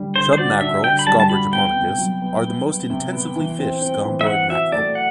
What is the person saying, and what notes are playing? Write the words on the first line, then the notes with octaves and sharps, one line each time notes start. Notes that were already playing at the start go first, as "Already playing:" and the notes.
Chub mackerel, "Scomber japonicus", are the most intensively fished scombroid mackerel.
Already playing: D3 G3
D3 C5
C5
F#4 D5
D4 E5
D3 G5
B5
G3 A5
A5
F#4 B5
B3 G5
C3
F#3
B3
B3
B3
C3
B3
E3
C4
C4
E3
E5
E3 F#5
F#4 E5
A3 D5
F#5